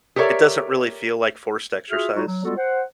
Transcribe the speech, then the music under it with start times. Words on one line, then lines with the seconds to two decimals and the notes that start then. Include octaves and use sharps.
it doesn't really feel like forced exercise.
0.16 G4 A4 A#4 C#5 D5 E5
1.91 F4 F#4 G#4 E5 F6
2.15 G3 D#4 F4 F#4
2.27 F#3
2.44 G3 G#3 B3 F4 F#4 A4
2.57 C5 F#5